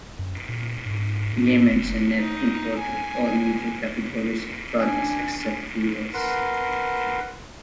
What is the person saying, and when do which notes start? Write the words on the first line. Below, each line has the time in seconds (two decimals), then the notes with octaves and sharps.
Yemen is a net importer of all major categories of products except fuels.
0.19 F#2
0.49 A#2
0.86 G#2
1.33 A2
1.72 F#1
2.18 D#4
2.78 G#5
4.80 D4 G#5
6.14 A#4 B4 F#5 C6